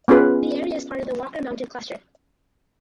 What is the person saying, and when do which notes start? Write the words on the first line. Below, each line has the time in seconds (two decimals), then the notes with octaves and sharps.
The area is part of the Walker Mountain Cluster.
0.08 B3 C#4 F4 G#4 B4